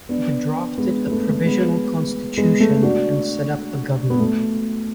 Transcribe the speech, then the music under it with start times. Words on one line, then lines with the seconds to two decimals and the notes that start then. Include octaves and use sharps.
It drafted a provisional constitution and set up a government.
0.09 B3 D4
0.78 G#3 B3
1.07 B3
1.12 A3
1.29 A3
1.46 G#3 B3
2.37 G#3 B3
2.60 A3
2.83 D4 F#4
4.10 B3
4.20 A3